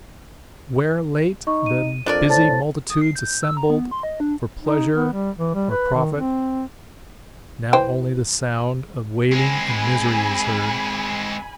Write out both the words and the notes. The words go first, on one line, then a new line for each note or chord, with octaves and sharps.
Where late the busy multitudes assembled for pleasure or profit, now only the sound of wailing and misery is heard.
D#4 C#6
D#7
F2 D4 A#4 D5
A2 C5 A5 A6
D#6
C7
G6
G6
E6
A#5
B3
C6
D#5
D4
D#4
B3
G3
E3
G3
B4
D#3
C4
E3 C5 G5
G#3 C4 G#5 B5